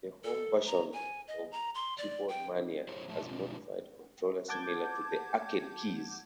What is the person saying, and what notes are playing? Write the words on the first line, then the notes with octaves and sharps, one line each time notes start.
The Home Version of keyboardmania has Modified controller similar to the Arcade keys.
A4
A#5
G#5
D#5
A#5
C6
D5
G5
E4 G4 G#4 C5 C#5
A2 F3 G#3 E4 E5 A5
B2 F3 G#3 D4 F4 G4
F#5 A5 D6 G6 G#6